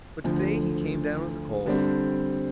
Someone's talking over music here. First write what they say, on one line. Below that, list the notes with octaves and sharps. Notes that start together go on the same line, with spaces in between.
But today he came down with a cold.
D2 D3 F3
D3 G3 C4